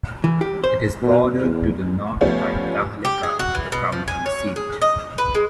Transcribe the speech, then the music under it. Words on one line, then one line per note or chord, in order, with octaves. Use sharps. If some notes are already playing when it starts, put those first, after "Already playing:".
It is bordered to the north by Tahlequah, the county seat.
E3
G4
C5
B2
E2
F3 G3 A3 B3 C#4
G4
G#4
F#4
E3
B2
F3
G#5
C#5
G#4
D#5
B4
G#3